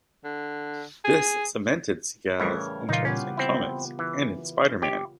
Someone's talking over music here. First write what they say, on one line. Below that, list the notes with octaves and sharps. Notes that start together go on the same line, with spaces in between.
This cemented Seagle's interest in comics and in Spider-Man.
D3
G#4
A2 C#3 E3 G3 A#4 C#5
A#2 C#3 E3 D#4 F4
B3 C#4 F4 G4
C4 E4
E3
G4